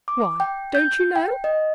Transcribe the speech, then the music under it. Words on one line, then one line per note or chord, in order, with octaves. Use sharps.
'Why don't you know?
D6
G5
G6
G5
D#5